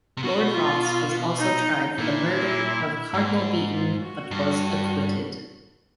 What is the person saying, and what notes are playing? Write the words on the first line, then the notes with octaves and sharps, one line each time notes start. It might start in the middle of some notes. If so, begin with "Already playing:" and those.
Lord Rothes was also tried for the murder of Cardinal Beaton but was acquitted.
C3
B2 F#4
F4
D#4
A#2 E4
G#2
F4
F#4
G2